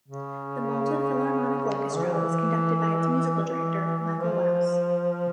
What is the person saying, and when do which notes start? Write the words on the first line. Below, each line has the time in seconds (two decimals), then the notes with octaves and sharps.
The Malta Philharmonic Orchestra was conducted by its Musical Director, Michael Laus.
0.08 C#3
1.95 E3
2.04 F3
2.13 E3
3.45 E3
4.20 F3